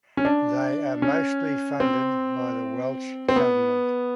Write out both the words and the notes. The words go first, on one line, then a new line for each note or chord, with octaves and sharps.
They are mostly funded by the Welsh government.
C#4
D4
C#4
C4
C4
B3